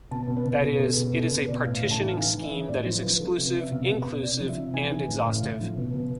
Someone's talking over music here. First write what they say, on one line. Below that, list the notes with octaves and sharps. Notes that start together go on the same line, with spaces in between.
That is, it is a partitioning scheme that is exclusive, inclusive, and exhaustive.
B2 A5
B2
B4
B2
B2 A4
B2 A4
B2 G#4
B2 A4
B2 B4
B2 D5
A2 F5
A2
A5
E3
F5
E3 G#5
E3
E5
E3
A2 D5
F3 C5
F3 B4
F3 A4
C3
B4
C3
E5
B2 F5
B2
B2
C3 D5
F3
E5
C3
E3 G#5
E3
A2
A2 F5
A2
F3
B2
B2